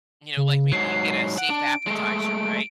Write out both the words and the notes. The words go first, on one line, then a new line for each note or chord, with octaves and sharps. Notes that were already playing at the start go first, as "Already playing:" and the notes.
you know, like, maybe you get a safe appetizer, right?
C#3
G#2 F#3 C7
F#5 D7
D4
G#3 A3